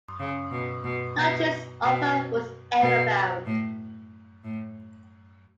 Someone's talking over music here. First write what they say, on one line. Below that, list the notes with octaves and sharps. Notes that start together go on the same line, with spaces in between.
No trace of her was ever found.
C#3
B2
B2
B2
B2
B2
A2
A2